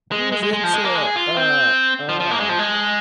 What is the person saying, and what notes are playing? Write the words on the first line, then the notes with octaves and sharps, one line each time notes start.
she was into, uh uh
G#3
G#3
G#3
G#3
F3
G#3
A#3
G#3
G#4
F4
C4
F3
F3
A#3
G#3
F3
G#3